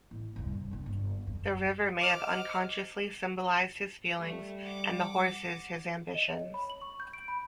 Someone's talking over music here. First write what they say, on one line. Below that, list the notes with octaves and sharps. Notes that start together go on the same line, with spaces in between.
The river may have unconsciously symbolized his feelings and the horses his ambitions.
A1
C2 F#2
G2
C3 D4
G1
F#2
C5 D#5 D6 F6 F7
G3 A3
F#5 D6
D#5
C#5
B5
F#7
C#6
G6
D7
B5